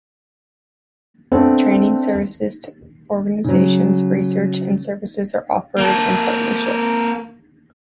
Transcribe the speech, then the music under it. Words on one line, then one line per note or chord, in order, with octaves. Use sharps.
Training, services to organizations, research, and services are offered in partnership.
A3 B3 C4 D4 A4
C#3 F#3
A#3 A4